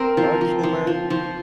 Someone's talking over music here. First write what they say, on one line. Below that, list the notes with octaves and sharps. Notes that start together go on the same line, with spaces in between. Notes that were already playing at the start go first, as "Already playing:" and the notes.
dark humor,
Already playing: C4 A#4
F3
F3
F3
F3
F3